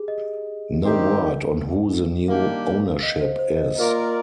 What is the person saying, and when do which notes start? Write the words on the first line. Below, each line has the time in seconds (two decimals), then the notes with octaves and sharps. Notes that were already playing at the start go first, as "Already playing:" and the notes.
No word on who the new ownership is.
Already playing: G4 G#4
0.08 D#5
0.82 D#3 G3 C4 G4
2.28 D#3 G3 A#3 D4 G4 F5
3.03 D#5
3.21 C5
3.39 C5
3.57 D#5
3.75 A#3 F4 A#4 D5 D#5